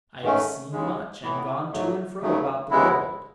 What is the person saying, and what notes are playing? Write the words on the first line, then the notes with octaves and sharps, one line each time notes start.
I have seen much, and gone to and fro about the world.
G#2 D#3 A3 C#4
D#2 C#3 G#3
A2 E3 B3 E4
G#2 F#3 A3
D#2 C#3 F#3 A3
D#2 C#3 G#3 B3 E4